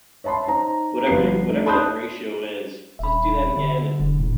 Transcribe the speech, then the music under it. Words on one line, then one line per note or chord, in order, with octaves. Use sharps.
whatever you whatever that ratio is, just do that again and,
C#5 E5 A5 B5 C6
D#4 C5 A#5
G1 F3 B3 C7
A3 D#4
A5 B5 C6 D#6 F#6 G6
D#1 E5 B5
D3
E1 D3
A2 C#3